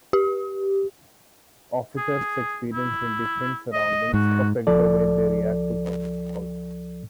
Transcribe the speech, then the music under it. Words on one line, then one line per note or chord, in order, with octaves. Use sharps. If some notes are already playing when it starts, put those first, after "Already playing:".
Officers' experience in different surroundings affect the way they react to service calls.
G4
G#4
E4
D#5
G#2 F#4
C#2 F3 A4 D5